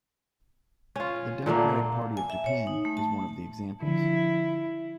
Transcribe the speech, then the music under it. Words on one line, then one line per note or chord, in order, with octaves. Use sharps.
The Democratic Party of Japan is one of the examples.
C#4 F4
A#2 D3 A3 A#3
G#5
E5
C#5
D#4
A3
A5
D3 F3 E4